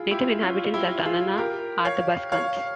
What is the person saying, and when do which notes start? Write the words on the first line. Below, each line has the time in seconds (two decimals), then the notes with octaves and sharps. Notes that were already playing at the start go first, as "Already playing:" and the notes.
Native inhabitants are Tanana Athabaskans.
Already playing: E4 F4 G#4
0.11 E4 G4
0.43 C#4 F4
0.74 E4 G4
1.05 F4 G#4
1.38 G4 A#4
1.85 C#5 F5
2.32 C#5 F5